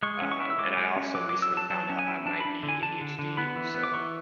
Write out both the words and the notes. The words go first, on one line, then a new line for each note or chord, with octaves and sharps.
um and I also recently found out I might be ADHD, so,
G#3 C#6
C#4
C#6
E4
E6
G#3 D6
G#3
C#4
F#3 D6
F#3 D6
E6
F#3 A5
F#3 A5
C#4
G#5
E4
D4 A5
B5
D4
D3
G#5
D3 A5
D3
D3
B3 B5
E3
B3
D6
E3 C#6